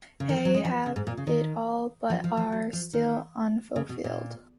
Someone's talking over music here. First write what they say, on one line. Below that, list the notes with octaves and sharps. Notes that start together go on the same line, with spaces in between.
They have it all but are still unfulfilled.
C#3
D#3
F3
F#3
G#3
F3
C#3
G#2
A#2
C#3
D#3
F3
F3
F3
F#3
F3
D#3
C#3
B2
A#2